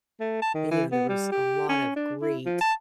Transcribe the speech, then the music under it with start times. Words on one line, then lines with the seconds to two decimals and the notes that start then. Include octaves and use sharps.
and, you know, there was a lot of great,
0.20 A3
0.42 A5
0.54 D#3
0.71 E3
0.92 B3
1.09 G3
1.32 G4
1.69 C#4
1.96 D4
2.22 E4
2.46 F3
2.61 A5